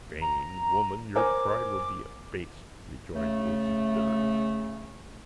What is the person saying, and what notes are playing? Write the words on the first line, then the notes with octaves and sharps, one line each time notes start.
"Vain woman, your pride will be abased," rejoined Wolsey bitterly.
A#5
A#4 C5 G#5 D6
C#3 A3